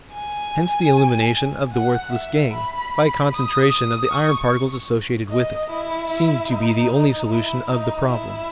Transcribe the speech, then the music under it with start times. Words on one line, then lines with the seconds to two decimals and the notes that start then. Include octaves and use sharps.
Hence the elimination of the worthless "gangue" by concentration of the iron particles associated with it, seemed to be the only solution of the problem.
0.13 G#5
1.73 F#5
2.13 E5
2.53 B5
3.32 D#6
3.72 D#6
4.12 C#6
5.30 D#5
5.70 E4
6.50 D#4
7.29 E4
7.70 D#4
8.10 E4